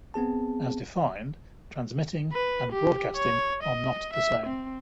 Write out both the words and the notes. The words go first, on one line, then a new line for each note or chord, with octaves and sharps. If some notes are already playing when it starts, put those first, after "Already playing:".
As defined, "transmitting" and "broadcasting" are not the same.
B3 C4 G#4 A5
B4
G4
C#5
D#5
E5
C4